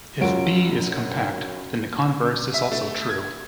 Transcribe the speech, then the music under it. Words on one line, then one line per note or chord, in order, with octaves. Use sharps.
If "B" is compact, then the converse is also true.
F#1 F#3 F4 F#4 D7
E5
A3
G#6